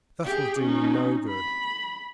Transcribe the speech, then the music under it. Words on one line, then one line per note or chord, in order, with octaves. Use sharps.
"That will do me no good."
G4 G#4
C#4 D#4
B5